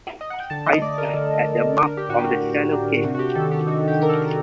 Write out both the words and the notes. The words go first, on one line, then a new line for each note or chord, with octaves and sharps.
I sat at the mouth of the shallow cave.
D#5
F#5
G5
D3 A5
D#5
A3 D5
A#4
D3 A4
D3
D4 A#4
G4
A2 F#4
G4
A2
D4
C3 F#4
F#4
G4
D#3 A4
G4
D#4 F#4
G4
D#3 A#4
A4